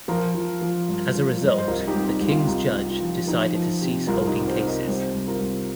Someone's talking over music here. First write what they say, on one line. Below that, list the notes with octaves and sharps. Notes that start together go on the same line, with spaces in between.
As a result, the King's judge decided to cease holding cases.
F3 F4 A#4
F3
F3
G2
F3
G2
D#5
C5
C2 F4 A#4
D#4 G4
C2
D#4
C2
F4
C2 D#4 G4
C2
F4
F3
F3 D#4 G4
F3
C3
C2 F4 A#4
D#4 G4
C3
G4 C5
C3
A#4 D#5
C2 G4 C5
C2
F4 A#4
C2